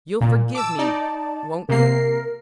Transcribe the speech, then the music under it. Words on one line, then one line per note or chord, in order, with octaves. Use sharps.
You'll forgive me--won't you?
A#2
A5 D6 E6
D#4 D5
C3 A#3 A#4 C7